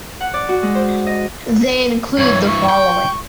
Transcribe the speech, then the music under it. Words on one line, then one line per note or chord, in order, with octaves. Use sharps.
They include the following.
F#5
D5
F#4
G#3
C5
D#5
G2 E3 C#5
C#6
G5